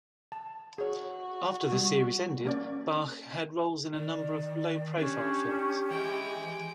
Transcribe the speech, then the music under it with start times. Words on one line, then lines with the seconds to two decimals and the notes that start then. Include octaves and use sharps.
After the series ended, Bach had roles in a number of low-profile films.
0.32 A5
0.78 F#4 G#4 C#5
1.72 G3
2.45 A#3 C#4 D5
3.94 D#3 D5
4.98 C#4 D4 G4
5.91 E3 G#3 G5